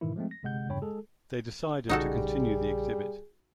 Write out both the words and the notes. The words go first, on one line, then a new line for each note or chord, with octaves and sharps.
They decided to continue the exhibit.
G#2 B2 D#3 E3 E4
F3 G#3 A3 C4
A#6
G1 C3 G#3 F#5 G6
E2 G2 C#3 C#5 G5 B5
G#3 G#4 A4
A#1 C#3 G3 D#4 F#4 G#4 A4